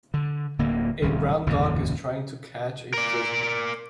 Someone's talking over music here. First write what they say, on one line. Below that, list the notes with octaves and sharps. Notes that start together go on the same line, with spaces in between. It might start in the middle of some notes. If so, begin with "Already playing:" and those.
A brown dog is trying to catch a Frisbee.
D3
D1 D3 A#3
D1 C2 D#3
F1 D#2 G#2 C#3
A#4 D5